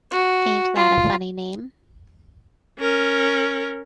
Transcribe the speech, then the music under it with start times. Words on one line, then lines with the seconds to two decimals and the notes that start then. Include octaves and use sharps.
Ain't that a funny name?
0.11 F#4
0.76 F4
2.79 C#4 A#4